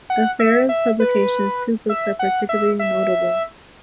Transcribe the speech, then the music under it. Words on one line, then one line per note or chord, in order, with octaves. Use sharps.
Of Ferrier's publications, two books are particularly notable.
F#5
E5
E5
B4
E5
F#5
E5
E5